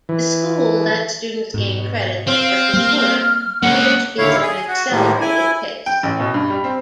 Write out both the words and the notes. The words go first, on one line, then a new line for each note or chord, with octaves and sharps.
The school lets students gain credits at every quarter, which is an accelerated pace.
E3
G#2 B2
C4 F5
G3 A#3 F6
G#3 A#3 C#4 F#5
D#2 A#2 D3 E4 C#5 F5
G#4
F#4
A2 D#3 F3 G3 G#3 A#3
E4 G#5
G5
A1
B2
G2
G3
C4